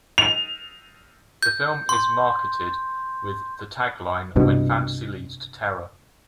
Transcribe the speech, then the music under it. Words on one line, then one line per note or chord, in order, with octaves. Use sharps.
The film is marketed with the tagline When fantasy leads to terror.
F7
G6
C6
C2 G2 B2